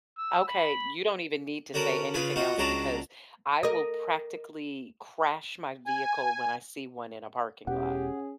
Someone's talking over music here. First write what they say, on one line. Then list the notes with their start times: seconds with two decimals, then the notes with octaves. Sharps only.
Okay. You don't even need to say anything else because I will practically crash my vehicle when I see one in a parking lot.
0.18 E6
0.48 B5
1.74 D3 C#4 F#4 A#4
2.14 C#3 F4 G#4 B4
2.36 D#4 F4 F#4 F#5
2.58 C#2 F#3 D4 F#4 A5 A#5
3.63 A#4 D#5
5.87 G#5
7.67 E1 B2 E3 C#4 G4 G#4 F#5